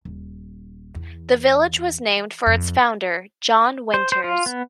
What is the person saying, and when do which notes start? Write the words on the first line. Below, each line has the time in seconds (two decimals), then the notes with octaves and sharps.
The village was named for its founder, John Winters.
0.05 D#1
0.95 E2
2.47 F2
3.94 C5
4.12 C5
4.24 F4
4.46 B3